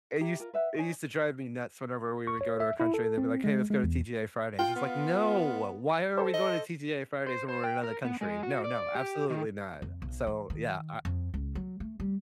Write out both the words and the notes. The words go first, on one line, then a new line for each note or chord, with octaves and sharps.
It used it used to drive me nuts whenever we would go to our country, they'd be like, "Hey. Let's go to TGI Fridays." It's like, "No. Why are we going to TGI Fridays when we're in another country? No, no. Absolutely not." So, yeah, I
E4 G4 A#5
F4 A#4
B4 E5 F#5
D#4 C5 C#5 G#5
C#6
C#5
E5
E4
A4
C4
G#3
G#3
E2
F4 G5
B3
A4 C5
D#5
C5
C5
G5
A#4
B3
G#3
F#4
D5
G4
D#3
F2
B1
E3
D#3
F2
C#2
F#3
A3
G3